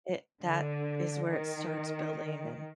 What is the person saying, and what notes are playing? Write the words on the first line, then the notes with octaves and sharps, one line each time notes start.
it that is where it starts building, and
D3
D#3